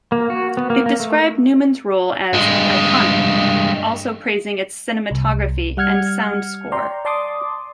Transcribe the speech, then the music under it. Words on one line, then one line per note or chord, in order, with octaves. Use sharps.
It described Newman's role as "iconic," also praising its cinematography and sound score.
A#3
F#4
B3
A#3
A#3
A3
G2 G#3
C2
G3 F#5 F6 G#6 C#7
D5 G5 A#5 C6
D5 A5 C6 D6 D#6